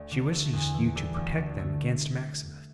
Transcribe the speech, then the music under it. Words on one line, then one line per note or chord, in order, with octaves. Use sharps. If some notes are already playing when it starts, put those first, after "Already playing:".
She wishes you to protect them against Maximus.
Already playing: D2 A3 D5
D3
A3
E2
E3
G3 A4
D2
D3
A3